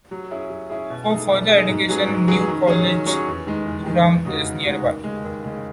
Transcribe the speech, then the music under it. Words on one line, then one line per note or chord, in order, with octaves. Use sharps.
For further education, New College, Durham is nearby.
F#3
C#4 E4 G#4
F#3
C#4 E4 G#4
B2
A3 D#4 G#4
B2
A3 D#4 G#4
G#2
F#3 C#4 G#4 B4
G#2
F#3 C#4 G#4 B4
D#3
F#3 C#4 G#4 C#5
D#3
F#3 C#4 G#4 C#5
E2
D#3 G#3
E2
D#3 G#3
E2
C#3 G#3 D#4 F#4
E2
C#3 G#3 D#4 F#4
D#2
C#3 G#3
D#2
C#3 G#3